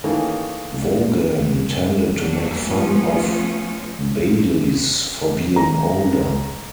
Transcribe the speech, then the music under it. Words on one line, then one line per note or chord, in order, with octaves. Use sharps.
Vaughan tended to make fun of Baylis for being older.
D#3 E3 A3 A#3 C#4 G#4
F#3 G3 A#3 D4
F3 F#3 A3 B3 C#4 F4
A#5